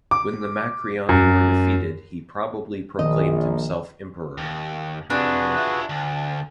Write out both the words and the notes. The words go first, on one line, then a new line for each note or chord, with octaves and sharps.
When the Macriani were defeated he probably proclaimed himself emperor.
D6
F#2
A#1 D#3 D#5
D#2
F2 C3 D4 F#4 G#4 B4
F4 E5
D2 A5